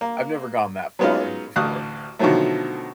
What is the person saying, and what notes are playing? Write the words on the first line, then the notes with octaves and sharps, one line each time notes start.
I've never gone that far before.
A#3
F#3 G#3 B3 C#4 D#4 F4
A1 D2 F5 D#6 F#6
B2 D3 D#3 F3 F#3 A3